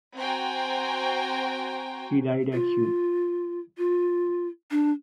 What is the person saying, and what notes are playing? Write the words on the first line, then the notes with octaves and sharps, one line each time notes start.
He died at Huy.
C4 F#4 C5 G5 G#5 A#5
F4
F4
D4